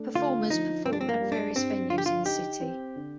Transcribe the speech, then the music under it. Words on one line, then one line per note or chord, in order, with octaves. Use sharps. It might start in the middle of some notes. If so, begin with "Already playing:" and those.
Performers perform at various venues in the city.
Already playing: A3 D4
D3 F4
F3 D#4
G2 C4
D4
C4
A#3
G3
D4
G2 C4
D3 F4
G4
F4
D#4 G4
C4
D3